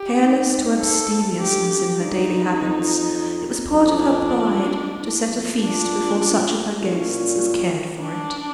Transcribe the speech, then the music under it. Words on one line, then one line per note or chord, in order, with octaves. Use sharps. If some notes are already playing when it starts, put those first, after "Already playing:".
Careless to abstemiousness in her daily habits, it was part of her pride to set a feast before such of her guests as cared for it.
Already playing: G4
G#2
A4
G2 G4
F#2
G2 D#4
G2
G2
F#2
F2
F#2
F2 D4
E2
F2
A#2 D4
A#2 C#4
A2
A#2
D4